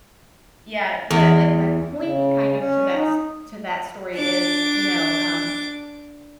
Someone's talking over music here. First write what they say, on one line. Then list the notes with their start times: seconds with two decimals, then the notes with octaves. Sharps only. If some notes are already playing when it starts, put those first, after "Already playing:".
Yeah, but like my point kind of to that, s to that story is, you know, um,
1.11 E2
2.01 C#3
2.56 C#4
2.94 D#4
4.16 D4 D6